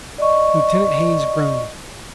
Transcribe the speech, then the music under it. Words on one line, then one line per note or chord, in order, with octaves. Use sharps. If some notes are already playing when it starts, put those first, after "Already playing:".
Lieutenant Haines groaned.
D5 D#5 C#6